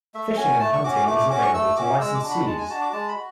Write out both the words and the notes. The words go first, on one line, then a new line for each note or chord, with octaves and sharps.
Fishing and hunting is available to licensees.
A3 E5
C#4 F#4 G#5
A3 A5
C#6
C#4 F#4 D6
D6
A3 D6
D6
C#4 F#4 D6
C#6
A3 E6
C#4 F#4 D6
G#3 E6
D6
D4 F#4
B5
G#3 A5
G#5
D4 F#4 A5
D6
G#3 A5
B5
F#4